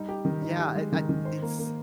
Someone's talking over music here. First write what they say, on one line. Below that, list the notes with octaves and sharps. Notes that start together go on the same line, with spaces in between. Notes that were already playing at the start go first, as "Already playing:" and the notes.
Yeah, it I it's
Already playing: G3 D#4
G4
D#3
D#4
G4
G#3
D#3
D#3
C5
A#3
A#3